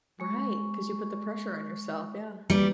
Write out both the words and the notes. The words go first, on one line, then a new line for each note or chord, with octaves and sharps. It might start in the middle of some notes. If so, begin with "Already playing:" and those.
Right, 'cause you put the pressure on yourself, yeah.
G#3 C#6
G3 A#3 D4 B4 D5